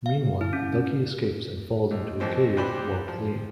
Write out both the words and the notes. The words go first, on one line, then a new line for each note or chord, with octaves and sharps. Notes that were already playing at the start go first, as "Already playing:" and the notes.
Meanwhile, Ducky escapes and falls into a cave while fleeing.
F5
E4
C#4
D#2
D#2 A#2 F3 C4
D2 G4 B4 C5 D5 B5
F3